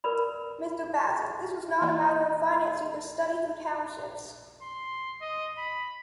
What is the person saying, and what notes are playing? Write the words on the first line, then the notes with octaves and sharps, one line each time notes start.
Mister Bazin, this was not a matter of financing this study through townships.
A#4 B4 D5 B5
E3 A#3 E4 D5 D#5 G5
C6
D#5
B5